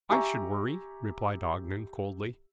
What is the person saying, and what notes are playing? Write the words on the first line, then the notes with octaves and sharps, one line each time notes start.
"I should worry!" replied Ogden coldly.
G4 E5 G#5 A#5 C#6